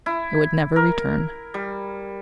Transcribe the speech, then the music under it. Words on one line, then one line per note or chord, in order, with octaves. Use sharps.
It would never return.
E4
A#4
G3